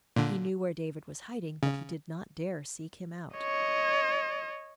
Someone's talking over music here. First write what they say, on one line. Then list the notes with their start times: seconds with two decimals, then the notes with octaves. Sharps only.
He knew where David was hiding, but he did not dare seek him out.
0.16 A#2 D3
1.63 C#3
3.36 C#5 D#5